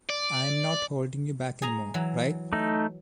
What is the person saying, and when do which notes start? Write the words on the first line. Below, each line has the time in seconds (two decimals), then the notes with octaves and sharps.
I am not holding you back anymore, right?
0.10 D5
1.62 G#4 G#5 A#5
1.94 E3 F#3
2.53 A3 D#4